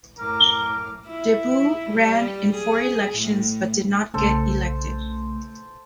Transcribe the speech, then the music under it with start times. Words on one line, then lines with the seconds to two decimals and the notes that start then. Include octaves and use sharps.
De Boo ran in four elections but did not get elected.
0.18 F#2 A2 A#4 D6 F6
1.08 E4
1.90 G3
2.55 G#4
3.12 A2
4.14 B1 C#3 A3 A4 C5 C6